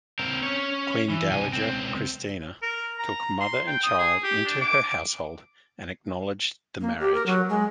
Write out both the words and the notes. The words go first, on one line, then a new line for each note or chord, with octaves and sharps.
Queen Dowager Christina took mother and child into her household and acknowledged the marriage.
C4 A#4
C#4 C#5
E3
C2 G#5
C#2 C4
A#4
A#5
C6
G5
D#6
G#4
G4
D4
D6
A#3
G4
A#4
F#3
G#3